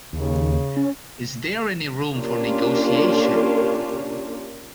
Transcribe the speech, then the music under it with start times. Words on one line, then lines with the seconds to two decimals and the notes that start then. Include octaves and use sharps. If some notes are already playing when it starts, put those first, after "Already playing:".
Is there any room for negotiation?
0.13 D#2 C#3
0.77 C#4
2.12 A#3 C#4 D4 F4 G4 A#4